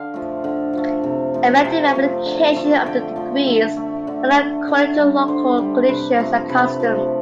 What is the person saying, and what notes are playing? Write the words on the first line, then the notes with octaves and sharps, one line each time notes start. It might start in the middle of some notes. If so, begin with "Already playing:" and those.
Effective application of the decrees varied according to local conditions and customs.
Already playing: D3 F5
F3 A3
D3
F3 A3
C3
F3 A3
C3 G5
F3 A3
D3
F3 A3
D3 G5
F3 A3
D3 E5
A3
D3
A3
D3
G3
D3 C5
G3
C3 B4
F3 A3
C3 B4
F3 A3